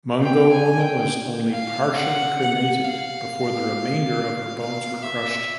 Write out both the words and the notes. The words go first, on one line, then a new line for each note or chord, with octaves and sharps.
Mungo Woman was only partially cremated before the remainder of her bones were crushed.
G5
G#5
G5
F5
F#5
F#5
F5
F5
E5